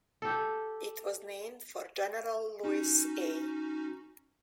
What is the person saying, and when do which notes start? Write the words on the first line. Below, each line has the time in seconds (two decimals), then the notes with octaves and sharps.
It was named for General Lewis A.
0.22 G4 A4
2.64 C#4 D#4 F#4